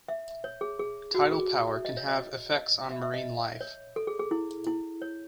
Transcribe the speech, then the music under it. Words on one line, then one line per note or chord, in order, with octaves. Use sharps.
Tidal power can have effects on marine life.
E5
C#5
G#4
G#4
F#4
G#4
E5
D#5
C#5
D#5
D#5
E5
E5
D#5
C#5
A4
G#4
G#4
E4
E4
C#5